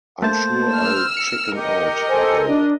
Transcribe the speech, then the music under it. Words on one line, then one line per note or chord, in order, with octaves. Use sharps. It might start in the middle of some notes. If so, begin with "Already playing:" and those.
I'm sure I'll chicken out though.
A3 A#3 C5 A5
E6 F6
C#7
G4 A#4 D#5
A4 C5 G#5
D4